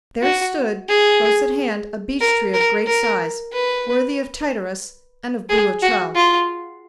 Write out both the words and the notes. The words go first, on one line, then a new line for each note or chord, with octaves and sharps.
There stood close at hand a beech-tree of great size, worthy of Tityrus and of Boulatruelle.
F#4
G#4
A#4
A#4
A#4
B4
G#4
F#4
F4